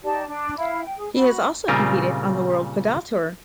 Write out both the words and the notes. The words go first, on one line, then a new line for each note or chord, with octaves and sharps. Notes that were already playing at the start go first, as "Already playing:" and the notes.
He has also competed on the World Padel Tour.
D#4 G4 D5 A5
D4
E4 F5
G5
G#4
F#4 B5
A#2 C#3 G3 C4 F4 A#4